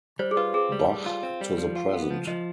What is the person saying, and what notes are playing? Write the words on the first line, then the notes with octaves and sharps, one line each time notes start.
Bach to the present.
G3 C5
G#4
F4 B4
C4 G#4
G3
G3
F4
C4
G3
F3
F4
B3
F3
F3 D#5